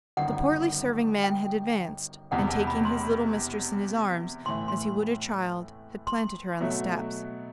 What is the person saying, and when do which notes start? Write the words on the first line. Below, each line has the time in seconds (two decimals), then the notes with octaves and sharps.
The portly serving-man had advanced, and, taking his little mistress in his arms, as he would a child, had planted her on the steps.
0.17 G1 F#2 D#3 F#5
1.24 G5
2.31 E1 E2 C3 F#5
2.49 A5
2.67 B5
2.85 C6
4.46 A2 E3 A3 C6
4.68 C6
6.07 C6
6.60 B2 F#3 A3